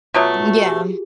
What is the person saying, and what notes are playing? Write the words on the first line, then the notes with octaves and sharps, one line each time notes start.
M yeah,
B2 F#3 A3 F4
F#4
G4
G#4